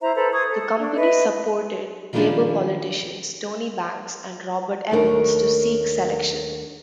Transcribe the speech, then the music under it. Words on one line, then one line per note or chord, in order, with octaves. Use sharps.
The company supported Labour politicians Tony Banks and Robert Evans to seek selection.
E4 C5 E5 A#5
A4 B4 C5 A#5
C5 C#6 D#6 G#6
A4
D4
B4 D#5 E5
D#3 F3 G3 C#4 D4 E4
D#2 A3 D4 A#4 C#5